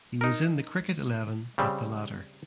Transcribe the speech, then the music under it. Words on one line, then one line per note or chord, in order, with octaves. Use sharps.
He was in the cricket eleven at the latter.
D#4 A#4
C#3 G3 C4